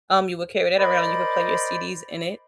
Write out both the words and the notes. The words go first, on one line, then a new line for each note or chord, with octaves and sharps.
um, you would carry that around and you could play your CDs in it,
A#4 C5 D5 D#5 B5